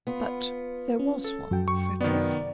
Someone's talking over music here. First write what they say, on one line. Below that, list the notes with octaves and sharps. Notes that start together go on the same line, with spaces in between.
"But there was one, Frederic?"
B3 F4
C#4
A4
F#2 F#4 G5
C#6
C3 D#3 B3 D5